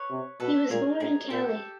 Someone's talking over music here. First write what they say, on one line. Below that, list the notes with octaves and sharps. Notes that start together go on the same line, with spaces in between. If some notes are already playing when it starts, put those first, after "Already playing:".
He was born in Cali.
Already playing: B4 C#5
C3
B2 A4 B4
A#2 G#4 A#4
A2 G#4 A#4
A#2 G4 A4